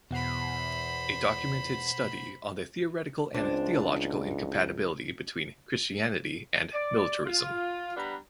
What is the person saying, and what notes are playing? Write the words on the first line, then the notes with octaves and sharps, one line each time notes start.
A documented study on the theoretical and theological incompatibility between Christianity and militarism.
E2 B2 C5 F#5 B5 C7
C#2 C4 D4
D5
F4
G3 B3 D4 A#5 B5